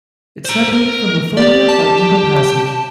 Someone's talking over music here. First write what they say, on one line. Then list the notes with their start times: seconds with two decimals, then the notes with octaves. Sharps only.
It is separated from Lafonia by Eagle Passage.
0.45 C5 A#5
0.73 A#4
1.37 G4 D5
1.68 A5